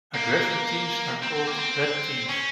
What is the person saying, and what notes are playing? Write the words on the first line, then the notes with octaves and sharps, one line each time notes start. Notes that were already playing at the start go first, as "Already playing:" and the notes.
Aggressor teams are called "red" teams.
A#3
C4
A#3
C4
C#4